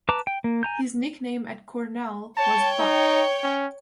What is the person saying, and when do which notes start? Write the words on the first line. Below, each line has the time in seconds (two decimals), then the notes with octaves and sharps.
His nickname at Cornell was "Buck".
0.09 B4 A5 A#5 D6
0.27 G5
0.44 A#3
0.63 G#5 A#5 G6
2.37 C#5 G5 A5
2.79 D#4
3.43 C#4